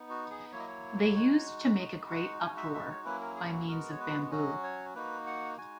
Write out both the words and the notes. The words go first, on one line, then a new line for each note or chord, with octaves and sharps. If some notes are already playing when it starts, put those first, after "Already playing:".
They used to make a great uproar by means of bamboo.
Already playing: B3 D#4
F#4
G#4
F#3 A#3 E4 C#5
D#5
C#5
G#3 D#4 F#4
G#3 D#4 F#4 D#5
F#5
G#3 D#4 F#4 G#5
E5
E5
B4
C#5
F#3 A#3 C#4 E4 B4
A#4
G#4
F#4
G#3 B3 F#4 A#4
C#5
B4
F#3 C#4 F#4 D#5
C#5
A#3 D#4 F#4 B4
F#5
G#3 D#4 F#4 G#5